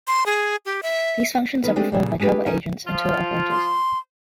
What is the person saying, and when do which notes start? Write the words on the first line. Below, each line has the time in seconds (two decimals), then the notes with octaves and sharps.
These functions are performed by Travel Agents and Tour operators.
0.07 C6
0.26 G#4
0.66 G4
0.83 E5
1.64 D#3 A3 B3 B4
1.76 G#3 A3 C4 D4 G4
1.92 A#2 C#3 G3
2.20 G#3 D4 F4 G4 B4
2.46 C#4 D#4 A4 A#4
2.86 F3 F4
3.51 C6